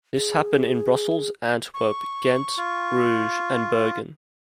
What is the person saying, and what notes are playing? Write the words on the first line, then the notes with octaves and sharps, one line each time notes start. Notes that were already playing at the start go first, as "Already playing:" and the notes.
This happened in Brussels, Antwerp, Ghent, Bruge and Bergen.
G#4
C#6
F4